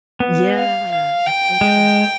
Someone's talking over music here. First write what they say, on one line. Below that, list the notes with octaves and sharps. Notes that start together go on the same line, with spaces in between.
Yeah, that's so true.
B3
F5
F5
G5
G#3